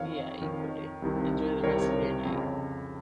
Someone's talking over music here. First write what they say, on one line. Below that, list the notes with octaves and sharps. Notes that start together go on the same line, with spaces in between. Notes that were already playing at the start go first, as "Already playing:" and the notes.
Yeah, equally. Enjoy the rest of your night.
Already playing: F2 D#3 C#5 F5
F2 D#3
C2 C3 D#3
C2 C3 D#3 A#4 C#5
F2 C#3